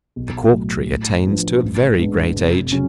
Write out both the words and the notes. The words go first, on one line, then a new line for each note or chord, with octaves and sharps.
The Cork Tree attains to a very great age.
B1
A2 F#3
A2
F3 B3 D4
A1
G#2 G#3 B3 D4
F1
C#3 F#3 C#4